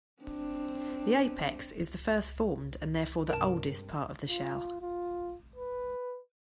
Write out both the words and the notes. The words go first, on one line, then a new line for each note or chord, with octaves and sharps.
The apex is the first-formed, and therefore the oldest, part of the shell.
C4 D4
G2 C3 A#4 A5
F4
F4
B4